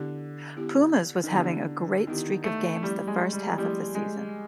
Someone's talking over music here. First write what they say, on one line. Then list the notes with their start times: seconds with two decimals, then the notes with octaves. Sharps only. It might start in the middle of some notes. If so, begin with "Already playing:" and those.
Pumas was having a great streak of games the first half of the season.
Already playing: D3 B3 E4 G4
0.57 B3 E4 G4
1.24 D#3
1.32 D3 B3 E4 G4
2.07 D#3 B3 E4 G4
2.44 A3
2.82 F3 G3 A3 C4 E4 G4
3.07 G#3
3.33 G3
3.58 F3 G3 A3 C4 E4 G4
3.95 G#3